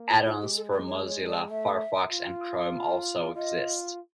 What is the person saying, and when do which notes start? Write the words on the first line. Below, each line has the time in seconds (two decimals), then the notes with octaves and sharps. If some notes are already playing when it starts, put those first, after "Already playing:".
Add-ons for Mozilla Firefox and Chrome also exist.
Already playing: A#3
0.09 F4
0.25 G#3 F4
0.41 G4
0.57 A4
0.72 B4
0.87 C#5
1.07 C#5
1.28 D5
1.49 A3 E5
2.11 F4
3.35 F4 D#5